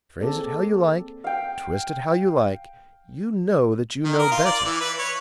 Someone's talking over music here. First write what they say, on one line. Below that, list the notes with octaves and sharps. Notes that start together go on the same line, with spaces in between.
Phrase it how you like, twist it how you like, you know that you know better.
A#3 C4 G#4 A4 D5
F5 G5
D#3
A#4
F4
D5
E3
B4
C#5